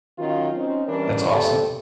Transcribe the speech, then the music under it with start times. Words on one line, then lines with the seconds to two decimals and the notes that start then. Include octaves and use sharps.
That's awesome.
0.19 D#3 F#3 C#4 F4
0.56 C4 C#4 D#4
0.88 E3 G3 C#4 D4 E4 A#4
1.33 D#2 C4 G4 A4